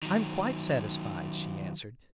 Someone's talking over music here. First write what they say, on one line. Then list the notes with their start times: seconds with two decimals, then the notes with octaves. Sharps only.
"I'm quite satisfied," she answered.
0.03 D#3 F#3